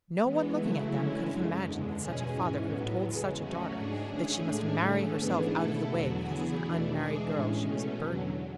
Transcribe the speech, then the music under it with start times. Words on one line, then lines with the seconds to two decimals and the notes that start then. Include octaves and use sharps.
No one looking at them could have imagined that such a father could have told such a daughter that she must marry herself out of the way because as an unmarried girl she was a burden.
0.22 E3 G#3 B3
0.57 C#3 F#3 A3 E4
0.92 D3 G#3 C#4 E4
1.28 F#2 C#3 G#3
1.63 E2 D3 G#3
1.98 E2 B2 G#3 C#4 G#4
2.33 G#2 E3 G#3 C#4
2.69 A2 F#3 B3
3.04 E2 C#3 G#3
3.39 F#3 A3 C#4 F#4
3.75 G#2 G#3 D4 G#4
4.10 D3 A3 C#4 G#4
4.45 A2 G#3 D4 G#4
4.81 D3 A3 C#4
5.16 G#2 E3 B3 D4 G#4
5.51 B2 A3 E4 A4
5.86 E2 D3 F#3 B3 F#4
6.22 E3 B3 E4 G#4
6.57 E2 B2 A3 D4
6.93 E3 G#3 D4 G#4
7.28 A2 G#3 C#4
7.63 B2 A3 C#4
7.99 E2 D3 F#3